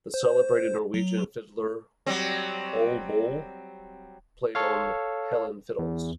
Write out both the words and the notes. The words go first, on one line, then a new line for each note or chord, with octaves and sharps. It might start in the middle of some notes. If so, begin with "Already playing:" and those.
The celebrated Norwegian fiddler Ole Bull played on Helland fiddles.
C5
F#3
F#3 G3 C4
A4 C#5 F5
E2